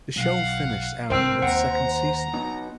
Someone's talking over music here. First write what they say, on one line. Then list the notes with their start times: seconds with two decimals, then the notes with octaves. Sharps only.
The show finished airing its second season.
0.16 B1 F5 F#5
1.10 C2 G2 C4 A#4 C5 G5 E6
1.42 D#2 F#5 A#5
2.34 B3 D#4